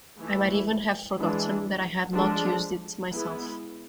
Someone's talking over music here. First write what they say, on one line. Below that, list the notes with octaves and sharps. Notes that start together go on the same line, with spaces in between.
I might even have forgotten that I had not used it myself.
E3 A3 E4
E3 G#3 D4
F3 G#3 D4 A4
G#3 B3 E4